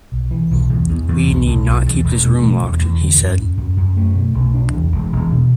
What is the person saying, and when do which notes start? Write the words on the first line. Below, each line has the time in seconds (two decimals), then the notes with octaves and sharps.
"We need not keep this room locked," he said.
0.12 B1
0.31 E3
0.51 B1
0.69 E2
0.89 E2
1.08 E2
1.27 B1
1.46 B1
1.66 B1
1.86 E2
2.04 E1
2.24 B2
2.42 A3
2.62 E2
2.81 E2
3.01 D3
3.20 F#2
3.39 F#2
3.57 F#2
3.77 F#2
3.97 A3
4.15 B2
4.34 B1
4.54 D4
4.73 E2
4.92 E1
5.12 E1
5.31 B2